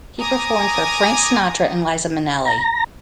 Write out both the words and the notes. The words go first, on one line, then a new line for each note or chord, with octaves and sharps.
He performed for Frank Sinatra and Liza Minnelli.
G#5 A#5 D6 D#6 G#6 A#6
A#5